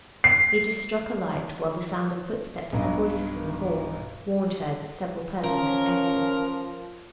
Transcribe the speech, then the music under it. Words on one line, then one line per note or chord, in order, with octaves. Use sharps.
Edith struck a light, while the sound of footsteps and voices in the hall warned her that several persons had entered.
C7
B1 G2
F3 C#4 A#4